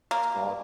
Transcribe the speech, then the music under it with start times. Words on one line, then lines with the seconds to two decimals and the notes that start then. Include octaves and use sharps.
It's called,
0.11 A#3